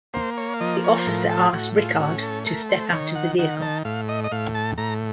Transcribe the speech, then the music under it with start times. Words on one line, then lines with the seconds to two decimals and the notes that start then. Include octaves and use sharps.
The officer asked Rickard to step out of the vehicle.
0.14 A#3 C5
0.37 C#5
0.54 F5
0.60 F3 D#5
0.84 C#5
0.98 C5
1.07 A2 A#4
1.30 A4
1.53 A2 F#4
1.77 F4
1.99 C#4 F#4
2.23 A4
2.46 A3 A#4
2.69 C5
2.92 D#3 C#5
3.15 F#5
3.39 D#3 F#5
3.62 A5
3.85 A2 F5
4.09 D#5
4.24 D#5
4.31 A2 F5
4.55 A5
4.78 A2 A#5